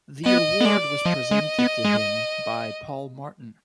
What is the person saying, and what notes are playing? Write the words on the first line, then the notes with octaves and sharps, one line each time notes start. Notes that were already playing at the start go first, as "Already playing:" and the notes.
The award was presented to him by Paul Martin.
B3 D#5
B3
G#3 D5
F3 D#5
G#3
B3
G#3